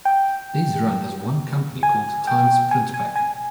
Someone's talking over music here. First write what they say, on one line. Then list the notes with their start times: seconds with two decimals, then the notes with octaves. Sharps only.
These run as one company called "TimesPrintpak".
0.05 G5
1.83 G#5
2.27 G5
2.71 G#5
2.94 G#5
3.16 G#5